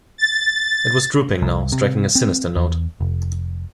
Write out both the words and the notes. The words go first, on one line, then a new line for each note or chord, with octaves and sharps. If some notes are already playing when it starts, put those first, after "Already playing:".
It was drooping now, striking a sinister note.
A6
C2
C3
C4
E2
F1